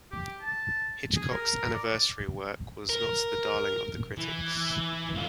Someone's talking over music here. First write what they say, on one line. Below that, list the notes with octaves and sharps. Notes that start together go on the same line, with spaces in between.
Hitchcock's anniversary work was not the darling of the critics.
G4
A5
G#4
A#4
D5
A#4
E3
G2 F4